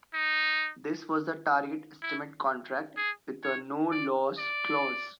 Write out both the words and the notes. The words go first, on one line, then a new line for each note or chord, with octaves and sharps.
This was a target estimate contract with a 'no loss clause'.
D#4
E4
G#4
C#5
D5
D5